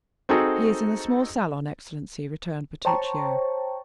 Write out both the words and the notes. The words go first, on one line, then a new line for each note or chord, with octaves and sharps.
"He is in the small salon, excellency," returned Bertuccio.
C4 D#4 F#4 G#4 A4
C5 C#5 G5 A5 A#5 C#6